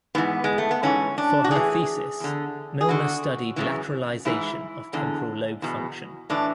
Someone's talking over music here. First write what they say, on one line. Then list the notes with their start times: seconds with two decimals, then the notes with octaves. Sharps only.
For her thesis, Milner studied lateralization of temporal lobe function.
0.15 G#2 E3 B3
0.44 G#3
0.58 A3
0.71 B3
0.83 G#2 E3 C#4
1.18 D4
1.44 F#4
1.51 A2 E3 G#4
2.20 E2 D3
2.81 G#4
2.88 E2 D3 F#4
3.56 F#2 C#3 E3
4.25 G#2 E3 E4
4.93 E2 D3
5.62 E2 B2
6.30 A2 E3 D4